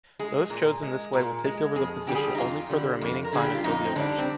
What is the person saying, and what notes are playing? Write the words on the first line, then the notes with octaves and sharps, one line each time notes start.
Those chosen this way will take over the position only for the remaining time until the election.
G#3 G#4
A#2
G#3
A#2
G#3
F2 G#4
D3 G3 G4
G#4
G4
D#4
F2 F4
D3 G3
F2
A#4
D3 G3 G#4
G4
F4
F2 D#4
C4
D3 G3 D4
C4